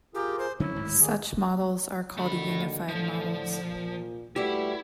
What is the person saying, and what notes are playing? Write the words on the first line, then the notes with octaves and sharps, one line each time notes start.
Such models are called unified models.
F4 G4 G#4 A#4
C5
D3 F#3 C#4 E4 C#5
D1 G#2 D#3
D#3 G3 A#3 G#4
D3 D#3 A3 F#4 B5
A2 D3 F3
A#2
G3 A3 E4 F#4 G4 B4